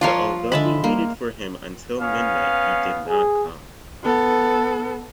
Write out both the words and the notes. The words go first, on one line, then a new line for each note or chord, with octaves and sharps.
But although we waited for him until midnight he did not come.
F3 A#3 D4 F4 C#5 C6 D6
D3 G#3 E5 A5 B5
G3 A#3
B3 C#4 F5
G#4
B3 A4